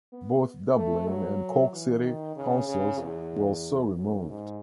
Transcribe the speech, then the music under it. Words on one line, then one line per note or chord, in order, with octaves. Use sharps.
Both Dublin and Cork city councils were so removed.
B3
A3
F#3
E3
D#3
C#3
C#3
E2
F#2
G#2